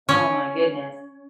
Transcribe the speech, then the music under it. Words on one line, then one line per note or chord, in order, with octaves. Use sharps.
Oh my goodness.
C#4